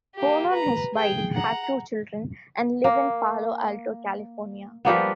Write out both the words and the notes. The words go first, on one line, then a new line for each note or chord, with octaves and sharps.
Bono and his wife have two children, and live in Palo Alto, California.
A#3 G4
B4 A#5
G#4 G5
F#5 A#5
A#3
F3 G3 A#3 B3